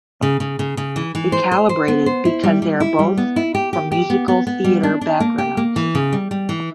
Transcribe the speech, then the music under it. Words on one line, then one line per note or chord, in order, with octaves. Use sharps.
They collaborated because they are both from musical theatre backgrounds.
C#3
C#3
C#3
C#3
E3
E3
C5
C5
C5
B3
C5
E4
G3
G3
E4
G3
B3
E4
G4
G4
G4
B3
B3
B3
G3
D4
D4
A#3
G4
A#3
E3
C#3
G3
G3
E3